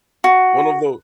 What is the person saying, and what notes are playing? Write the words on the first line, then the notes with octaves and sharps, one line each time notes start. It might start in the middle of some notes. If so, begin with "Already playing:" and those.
One of the
F#4